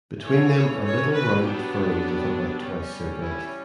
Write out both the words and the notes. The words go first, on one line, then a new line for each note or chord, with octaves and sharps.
Between them are little rounded furrows of about twice their breadth.
E3 A3 C#4 C#5
C#5
C#5
B4
F#3 B3 D4 G4
G3 C#4
E4